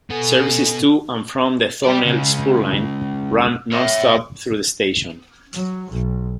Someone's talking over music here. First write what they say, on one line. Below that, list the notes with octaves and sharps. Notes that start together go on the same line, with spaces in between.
Services to and from the Thornlie spur line run non-stop through the station.
B2 B3 A4 G#5
G4 D5
C#2 C#3
C#5 E5
F#3
B1